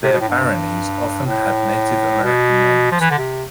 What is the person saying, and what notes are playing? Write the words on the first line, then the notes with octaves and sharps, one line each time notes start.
Their "baronies" often had Native American names.
C3
B2
A2
G2
A2
B2
F3
E3
D3
C3